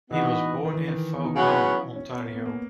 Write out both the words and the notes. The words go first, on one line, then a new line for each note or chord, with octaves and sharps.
He was born in Vaughan, Ontario.
E3 B3 D#4 F#4 B4 D#5
D#3
E3
D#3
B3
D#4
C#3 F#3 B3 F#4
E4
C#4
C#4
B3
A#3
B3
A#3